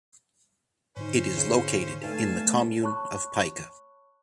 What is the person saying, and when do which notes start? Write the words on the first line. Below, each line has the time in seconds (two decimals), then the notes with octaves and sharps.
It is located in the Commune of Pica.
0.97 G#2 D3 C#4 D#4 C5
1.36 C#3
2.03 G2 A3 D#4 F5 G#5 A5
2.83 C#5 A5 B5 C#6 F#6